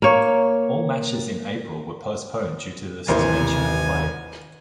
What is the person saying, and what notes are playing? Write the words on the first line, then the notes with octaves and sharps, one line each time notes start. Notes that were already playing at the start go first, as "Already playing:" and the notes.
All matches in April were postponed due to the suspension of play.
A#3 C#5
A1 D#2 C3 E3 A#4 C5 G#5